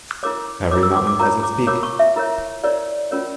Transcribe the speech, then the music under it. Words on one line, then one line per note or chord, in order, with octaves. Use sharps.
Every mountain has its peak.
E4 A#4 C#5 D6
E4 A#4 C#5 D6
E6
D6
D6
F4 A#4 C#5 A#5
D6
F4 A#4 C#5 D6
C#6
E5
E4 A#4 C#5
E4 A#4 C#5 D5
C#4 F4 A#4 C#5